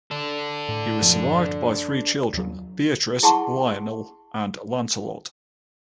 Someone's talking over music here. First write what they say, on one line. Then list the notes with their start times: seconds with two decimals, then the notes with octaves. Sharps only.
He was survived by three children, Beatrice, Lionel and Lancelot.
0.11 D4 A4
0.69 A2
1.01 F#2 A2 F3
2.33 D#2 F#3
3.23 E4 G#4 F#5 A5 C6 C#6